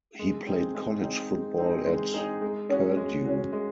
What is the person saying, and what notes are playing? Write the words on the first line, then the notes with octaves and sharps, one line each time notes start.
He played college football at Purdue.
G#3
C4 D#4 G#4
G#3
C4 D#4 G#4
G#3
C4 D#4 G#4
G#3
C4 D#4 G#4
G#3
C#4 F#4
G#3
C#4 F#4
G#3